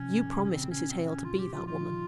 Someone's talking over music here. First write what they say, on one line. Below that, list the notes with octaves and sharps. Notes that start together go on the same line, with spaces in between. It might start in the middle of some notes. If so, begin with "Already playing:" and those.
You promised Mrs. Hale to be that woman!'
Already playing: C3 F3 C#4
G#2
A#2
C#3
C#4
C#3 C4
C#4
C4
C#4
F4
F3 G4
F4
D#3 F4